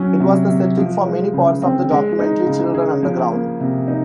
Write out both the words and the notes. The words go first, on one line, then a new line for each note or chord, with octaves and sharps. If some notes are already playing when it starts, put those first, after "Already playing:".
It was the setting for many parts of the documentary Children Underground.
Already playing: F#3 C#4
C3
C3
F3
G#3
C#3
C4
G#3
D#4
C#3
G#4
F3
A#3
C3
D#4